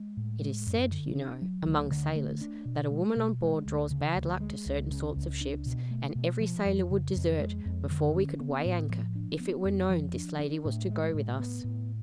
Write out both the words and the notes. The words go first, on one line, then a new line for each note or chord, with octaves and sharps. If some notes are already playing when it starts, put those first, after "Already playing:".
It is said, you know, among sailors, that a woman on board draws bad luck to certain sorts of ships, and every sailor would desert, before we could weigh anchor, if it were known this lady was to go with us.
Already playing: G#3
A2
G#3
F#2
D3
D4
F#3
D2
D3
A3
D4
B2
G#3
B2
G#3
D2
C#3
D2
G#3
C#2
C#3
C#2
D4
B2
A3
B2
F3
F2
C#3
F2
G#3
F2
D3
C#4
B3
A2
F3
D4
B3
F2
F3
D4
D4
A2
G#3
A2
B3
A2